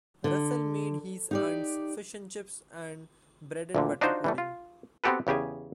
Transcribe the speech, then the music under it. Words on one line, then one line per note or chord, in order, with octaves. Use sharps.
Russell made his Aunt's Fish and Chips and Bread and Butter pudding.
D3
D#4 G4 D5
D2 A#2 D3
D4 D#4 F4 F#4 C5
E3 G3 A3
F4
B3 C4 F#4 G4 A4 B4
E2 C#3 G4 G#4 G#5